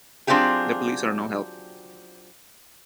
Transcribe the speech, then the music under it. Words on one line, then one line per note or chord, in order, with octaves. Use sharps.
The police are no help.
F#3 C4 D4 F4 G4 G#4